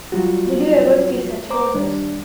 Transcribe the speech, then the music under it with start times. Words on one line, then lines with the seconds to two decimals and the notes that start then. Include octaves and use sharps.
Did you ever see such roses?
0.12 F#3 G3 F4 F#4
1.50 C5 A#5 D6
1.75 D#2 G3 D4